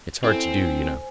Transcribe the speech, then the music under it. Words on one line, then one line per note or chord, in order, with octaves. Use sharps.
It's hard to do, you know.
C4 E4 A4 C5 G#5